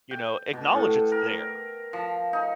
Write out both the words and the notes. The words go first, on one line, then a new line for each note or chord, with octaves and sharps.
You know, acknowledge it's there.
G5
B2
A2
A#4
F3
D#4